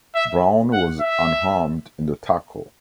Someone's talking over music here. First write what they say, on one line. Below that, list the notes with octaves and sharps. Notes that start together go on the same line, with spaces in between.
Brown was unharmed in the tackle.
E5
F#5
E5